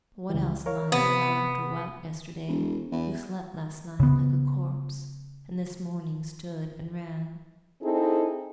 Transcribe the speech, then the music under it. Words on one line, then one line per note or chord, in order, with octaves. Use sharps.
What else am I who laughed or wept yesterday, who slept last night like a corpse, and this morning stood and ran?
C#2 E3
A#4 C#5 F5
C3 B3
E1
E2
C#3 B3
C4 D#4 E4 G#4 A4